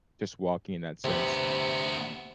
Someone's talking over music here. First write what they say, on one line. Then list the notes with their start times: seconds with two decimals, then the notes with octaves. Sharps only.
just walking in that sense
1.05 D2 C3 B3